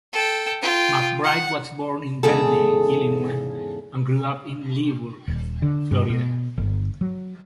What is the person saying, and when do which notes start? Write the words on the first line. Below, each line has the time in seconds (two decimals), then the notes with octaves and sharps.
McBride was born in Belleville, Illinois and grew up in Leesburg, Florida.
0.13 A4 G5
0.62 F4 G5
1.23 F#5
2.23 E2 G#2 C#3 G#4 A4
5.28 D#1
5.62 D3
5.91 G2
6.10 B2
6.58 G1
7.01 F#3